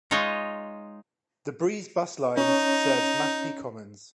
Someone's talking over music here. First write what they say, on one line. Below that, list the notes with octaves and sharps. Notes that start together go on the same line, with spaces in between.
The Breeze bus lines serves Mashpee Commons.
G#3 D#4 F4 C#5 D#5
C#4 D#4 C#5